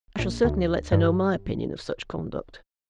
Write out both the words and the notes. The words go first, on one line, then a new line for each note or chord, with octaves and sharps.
I shall certainly let her know my opinion of such conduct.'
A#1
D2
G2